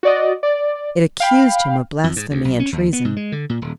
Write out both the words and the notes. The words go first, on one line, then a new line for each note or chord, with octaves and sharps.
It accused Him of blasphemy and treason.
F#4 D5 D#5
D5
F5 G5 B5
F2
G#2
D2
B1
C#4
D#2
B3
G#2
G#3
D3
A#2
D#1